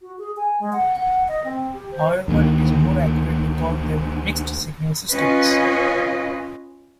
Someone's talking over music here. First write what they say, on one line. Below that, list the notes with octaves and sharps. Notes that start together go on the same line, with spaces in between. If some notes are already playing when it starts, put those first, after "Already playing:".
However, it is more accurate to call them mixed-signal systems.
F#4
G#4
G#5
G#3
F#5
F#5
D#5
C4
G4
C5
D2 D#3 F3 A#3
C#4 F4 B4 D#5